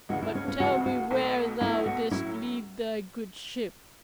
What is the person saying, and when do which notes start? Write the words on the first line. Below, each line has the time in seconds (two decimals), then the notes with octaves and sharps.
But tell me where thou didst leave thy good ship?
0.09 D2 C#3 E3 G#3 F#4
0.22 E4
0.35 C#4
0.48 C#4
0.60 D2 C#3 E3 G#3 F#4
0.86 F#4
1.11 B1 B2 A3
1.60 B1 B2 A3 E4
1.86 F#4
2.11 A2 F#3 C#4 E4